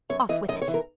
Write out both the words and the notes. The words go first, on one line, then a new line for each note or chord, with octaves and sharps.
Off with it.
F#2 C#5
E3 D#5
F#2 D#5
C#5
E3
A#4